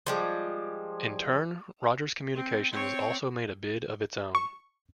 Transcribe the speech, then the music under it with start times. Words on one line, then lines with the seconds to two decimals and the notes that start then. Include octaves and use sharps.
In turn, Rogers Communications also made a bid of its own.
0.07 F3 G3 G#3
2.35 C4
2.72 C4 C#5
4.35 C#6